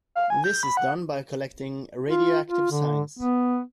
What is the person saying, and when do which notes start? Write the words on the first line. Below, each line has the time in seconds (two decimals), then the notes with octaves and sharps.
This is done by collecting radioactive signs.
0.15 F5
0.30 G#5
0.44 G6
0.63 B5
0.77 F#5
2.10 F4
2.47 F4
2.71 D3
3.19 B3